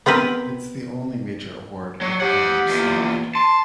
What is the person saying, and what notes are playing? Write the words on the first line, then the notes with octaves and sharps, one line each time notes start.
It's the only major award I've ever received.
B3 C4 A#4 B4
F#3 C#5
G4 C5 F#5
E2 A#2
A5 C6